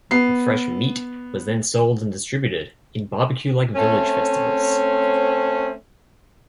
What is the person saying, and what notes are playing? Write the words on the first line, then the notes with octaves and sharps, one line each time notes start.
The fresh meat was then sold and distributed in barbecue-like village festivals.
B3 C7
A3 C4 C#4